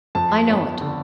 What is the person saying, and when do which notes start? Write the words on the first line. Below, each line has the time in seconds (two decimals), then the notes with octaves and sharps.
I know it.
0.15 F2 A5
0.48 G1
0.81 D3